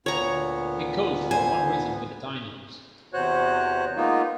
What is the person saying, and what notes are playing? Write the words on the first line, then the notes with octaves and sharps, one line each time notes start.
He coached for one season with the Dinos.
D2 A#2 B3 C#5 A#5
C5 G#5
E2 C3 F#4 C5 C#5 F#6
G#3 A#3 B3 D#4 F4